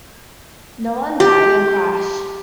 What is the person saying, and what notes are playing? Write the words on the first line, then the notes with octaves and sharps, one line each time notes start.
No one died in crash.
G4